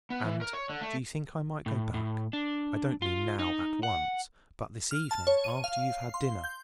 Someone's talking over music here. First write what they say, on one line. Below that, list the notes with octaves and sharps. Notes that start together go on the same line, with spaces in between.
And--do you think I might go back? I don't mean now, at once, but this evening, after you've had dinner.
B3
E3
A#4
C#5
D3
A3
A2
A2
D4
F4
D#4
F#5
F6
A5
C#5
D#7
F5
C6
G6